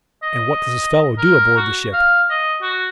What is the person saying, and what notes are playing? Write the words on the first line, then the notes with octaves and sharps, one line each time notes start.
"And what does this fellow do aboard the ship?"
D#5
A#4
F#4
F5
D#5
F#4